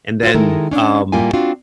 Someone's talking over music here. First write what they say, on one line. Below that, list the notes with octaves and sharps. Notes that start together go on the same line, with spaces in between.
and then, um,
F4 F#4 C5
D#3 G#3 E4 A4 A#4
C#4 D4
A2 G3 A#3 F4 G4 G#5
C4 D4 F4 F#4